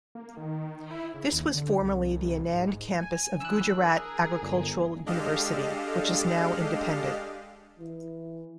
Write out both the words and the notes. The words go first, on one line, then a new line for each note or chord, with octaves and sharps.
This was formerly the Anand Campus of Gujarat Agricultural University, which is now independent.
A#3
D#3
E4
C#3
D#2
D3
C2
G#2
G#5
E3 D4 E6 F#6
G#4 A#4
G1
G#3 D4 G4 A4 D#5 F5
E3